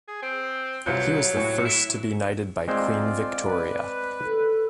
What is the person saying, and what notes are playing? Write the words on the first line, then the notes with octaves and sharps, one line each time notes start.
He was the first to be knighted by Queen Victoria.
G#4
C4
C2 F#3 F4 G6
A2
E4
G#3 C4 F4 C5 D5
B4
A4